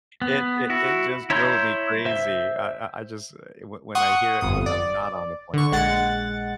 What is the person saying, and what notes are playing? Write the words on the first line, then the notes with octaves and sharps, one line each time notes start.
it it, it just drove me crazy, I I I just when I hear it when I'm not on the plane
B3
E4 F#4
E4 C#5 A#5 C6 G6
C5 E5
F#5 C6 C#6 D#6
G1 F2 D#6
D5
D3 C#6
A#1 G#3 F#5 A6